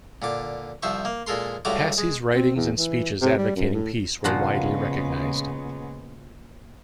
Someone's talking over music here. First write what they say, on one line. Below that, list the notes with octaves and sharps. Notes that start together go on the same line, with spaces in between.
Passy's writings and speeches advocating peace were widely recognized.
A#2 D3 D6
C2 F3 C5 E5 C#6
A#3
A#2 G#3 A4 A#4 C6
C#2 G2 A3 F#4 A#5 D6
G#3
C4
E2
E3
C3
G3
F#2
A2
A#2 C#3 F3 G#3 B3 F#4